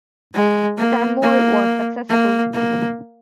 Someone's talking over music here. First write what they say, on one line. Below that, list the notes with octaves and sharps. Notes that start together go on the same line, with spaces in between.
Seymour was successful.
G#3
A#3
A#3
A#3
A#3